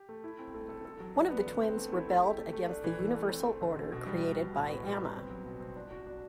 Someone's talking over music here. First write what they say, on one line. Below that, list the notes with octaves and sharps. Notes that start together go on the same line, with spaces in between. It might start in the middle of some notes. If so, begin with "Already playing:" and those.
One of the twins rebelled against the universal order created by Amma.
Already playing: G4
A3
E4
C4
A3
A4
A4
F#3
D4
B3
D3
C4
A3
E4
A3
G4
A3
A3
D4
E3
E3
A3
C4
C4
D3
D3
B2
G3
D4
B2
A2
B3
G3
B3
C4
F#3
B2
C4
D4
F#4
D4